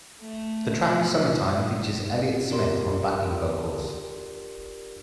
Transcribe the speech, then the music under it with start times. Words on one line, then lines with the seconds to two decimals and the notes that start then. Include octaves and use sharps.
The track "Summertime" features Elliott Smith on backing vocals.
0.20 A3
0.75 B2 F3
2.50 D4 F4 G4 A#4 D5 C6